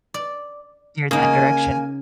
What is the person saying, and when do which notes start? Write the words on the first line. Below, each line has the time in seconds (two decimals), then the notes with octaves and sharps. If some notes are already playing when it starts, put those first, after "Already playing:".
You're that direction.
0.14 D5
1.11 C#3 A#3 D#4 G#5